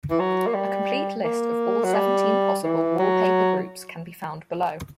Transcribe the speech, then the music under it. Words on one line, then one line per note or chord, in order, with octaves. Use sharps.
A complete list of all seventeen possible wallpaper groups can be found below.
E3
F#3
A#3
G3
A#3
F#3
G3
E3
F#3